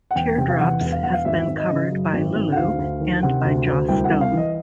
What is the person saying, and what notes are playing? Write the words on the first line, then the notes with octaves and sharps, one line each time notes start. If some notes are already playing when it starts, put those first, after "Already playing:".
"Teardrops" has been covered by Lulu and by Joss Stone.
F#5
E1 G5
C3 G5
F5
E2 F#5
E1
F5
E1 F#5
F5
G#1 E5
G#1
D#5
C#3
F#2
G#1
G#1
F#5
D2 F5
D2
D#3
C3 F#5
D2
D2
C2 G5
F#5
C2
F5
E3
D#5